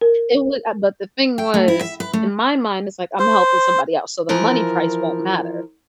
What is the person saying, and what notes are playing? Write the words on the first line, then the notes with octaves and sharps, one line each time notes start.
It wa uh, but the thing was, in my mind, it's like, "I'm helping somebody else," so the money price won't matter.
A#4
G5
A3
E4
E5
B4
A3
C5
E3 F3 A#4